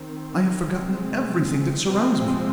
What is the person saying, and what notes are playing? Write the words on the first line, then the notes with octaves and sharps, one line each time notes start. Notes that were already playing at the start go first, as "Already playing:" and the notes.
I have forgotten everything that surrounds me.
Already playing: D#3 C4
C3 G#3 C4
C3 F3 G#3 C4